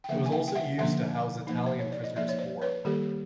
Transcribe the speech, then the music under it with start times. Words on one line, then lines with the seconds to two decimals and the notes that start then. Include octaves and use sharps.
It was also used to house Italian prisoners of war.
0.04 G5
0.09 D3 F3 A#3 D4 E5 F#5
0.26 G#5
0.32 F5 G5
0.48 G5
0.55 E5 F#5
0.78 D3 F3 A#3 D4 E5 F#5
1.47 F3 A#3 D#4
1.66 C5
1.79 C#5
1.92 D5
2.04 D#5
2.16 F3 A#3 D#4 D5 E5
2.29 C#5
2.39 C5 D5
2.62 B4 C#5
2.85 D#3 G3 A#3 G4 A4